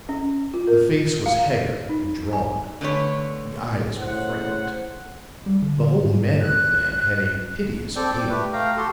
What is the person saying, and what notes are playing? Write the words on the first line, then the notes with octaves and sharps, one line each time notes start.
The face was haggard and drawn; the eyes were frightened; the whole manner of the man had a piteous appeal.
C#4
F4
A#4
F5
D#4
G#5
D3 A3 B4 C#5
A2 C#3 C5 F#5
G3
D3
G#2
F#6
C4 A4 D5 G5
D5 G5 D6
A3 G4 B4
A3 F5 G5 A#5
F#4 G4 A4 C6